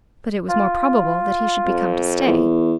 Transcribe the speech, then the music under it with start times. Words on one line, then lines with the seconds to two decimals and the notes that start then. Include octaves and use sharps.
But it was more probable that he should be come to stay.
0.49 F4
1.66 F2
2.27 E2